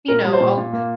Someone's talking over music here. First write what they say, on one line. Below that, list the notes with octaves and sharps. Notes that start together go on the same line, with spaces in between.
you know, I'll
A#2 A#4
G3
C5
A#2
A#2
A#3